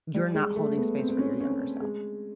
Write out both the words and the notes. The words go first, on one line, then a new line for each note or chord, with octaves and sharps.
You're not holding space for your younger self."
G3
G#3
A3
B3
C4
C4
C#4
C#4
G#3